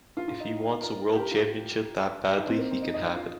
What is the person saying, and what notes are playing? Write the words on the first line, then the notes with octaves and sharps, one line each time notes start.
If he wants the world championship that badly he can have it.
F4
F4
D#4
A#4
A#4
G4
A#4
F4
D#4
C4
A#3
C4
D#4
D#5
F4